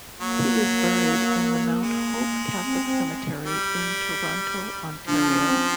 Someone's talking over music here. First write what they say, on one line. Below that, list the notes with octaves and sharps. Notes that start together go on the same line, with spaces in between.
He is buried in the Mount Hope Catholic Cemetery in Toronto, Ontario.
F#3 A#3
G#3
C4
C4
G3
F3 D4
C#4
C4